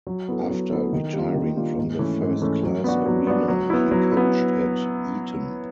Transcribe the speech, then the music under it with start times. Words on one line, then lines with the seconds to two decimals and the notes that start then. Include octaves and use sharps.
After retiring from the first class arena, he coached at Eton.
0.07 F#3
0.29 B3 E4 A4
0.50 F#3
0.71 B3 E4 A4
0.93 D#3
1.13 G3 A#3 D4 F4
1.35 D#3
1.56 G3 A#3 D4 F4
1.78 G#2
1.99 E3 A3 C#4
2.20 G#2
2.42 E3 A3 C#4
2.63 F#3
2.84 B3 D4 F#4
3.06 F#3
3.27 B3 D4 F#4
3.48 F#3
3.70 B3 E4
3.91 F#3
4.12 E4
4.17 B3